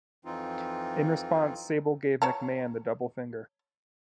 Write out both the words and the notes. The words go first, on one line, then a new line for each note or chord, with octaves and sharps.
In response, Sable gave McMahon the double finger.
F2 E3 C4 D#4 F4
C#5 A5 A#5